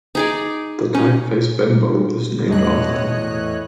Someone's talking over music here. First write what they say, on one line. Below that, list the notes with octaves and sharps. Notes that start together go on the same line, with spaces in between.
The typeface Bembo is named after him.
D#4 G#4 D5
C#4 D#4
E2 A2 C#5 D#5 F#6